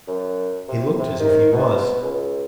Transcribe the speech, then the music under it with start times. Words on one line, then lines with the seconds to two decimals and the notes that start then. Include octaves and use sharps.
He looked as if he was.
0.07 F#2
0.68 C3
1.00 C3
1.20 D#3
1.52 B2
2.03 C#2